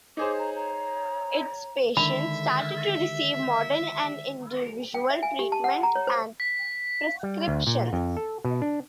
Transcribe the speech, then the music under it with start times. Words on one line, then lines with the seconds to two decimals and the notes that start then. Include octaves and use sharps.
Its patients started to receive modern and individual treatment and prescriptions.
0.17 D#4 G#4 C5 C#5 D6
0.39 A#5
0.56 A#5
1.97 D3 D#3 G#3 E4 E5 B5
4.94 G5
5.10 E5
5.23 G#5
5.39 G4
5.52 A5
5.64 F#5
5.83 A#5
5.95 C#5
6.07 C5
6.40 B6
7.23 G3
7.48 D2
7.67 A#2
7.93 F2
8.17 A4
8.45 B2
8.62 D4